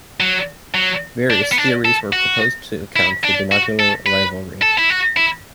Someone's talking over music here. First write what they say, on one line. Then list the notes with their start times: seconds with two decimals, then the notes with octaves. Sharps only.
Various theories were proposed to account for binocular rivalry.
0.20 F#3
0.74 F#3
1.30 D4
1.52 B3
1.58 D4
1.85 A4
2.13 F#4
2.96 E4
3.24 D4
3.52 F#4
3.79 A4
4.06 B4
4.62 A4
4.78 E4
4.90 F#4
5.17 E4